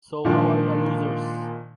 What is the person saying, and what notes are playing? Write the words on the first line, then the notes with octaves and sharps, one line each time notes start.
So who are the losers?
A#2 D#3 F3 G#3 D4